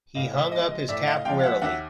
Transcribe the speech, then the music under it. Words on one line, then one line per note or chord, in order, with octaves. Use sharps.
He hung up his cap wearily.
A2 D#5 F5
D5 E5
F3 G#3 D#5
D#5
A2 D5 E5
D#5 F5
F3 G#3 F5 G5
F5
E5 F#5
D#2 E5 F#5